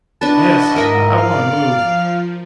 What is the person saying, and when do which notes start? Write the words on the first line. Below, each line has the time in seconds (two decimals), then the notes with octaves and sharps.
"Yes, I want to move."
0.21 D4 E4 F#4 B4 D#5 A5
0.76 G#2 A#4 D#5 E5
1.18 D5 F5
1.79 F3